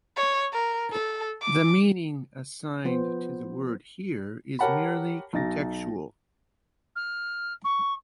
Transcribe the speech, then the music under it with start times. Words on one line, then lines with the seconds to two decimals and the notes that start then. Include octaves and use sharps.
The meaning assigned to the word here is merely contextual.
0.16 C#5
0.53 A#4
0.92 A4
1.42 D6
2.85 F3 B3 C5
4.59 G4 A#4 C#5 F#5 A5 B5
5.33 B1 D#4 A6 A#6
6.96 F6
7.64 C#6